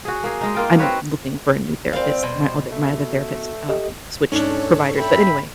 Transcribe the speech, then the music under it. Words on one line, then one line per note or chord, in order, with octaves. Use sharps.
I'm looking for a new therapist. My other my other therapist, um, switched providers, but, anyway,
F#4 G#4
A#3 G#4
G#3 D#4
A#3 F4 G5
C4 F#4 B4 C#5
A#2 G3 C4 B4 F5
B2 C5
A3
G4 A4 D#5
G#2 C#4 D4 A4 C#5
E5 G5 B5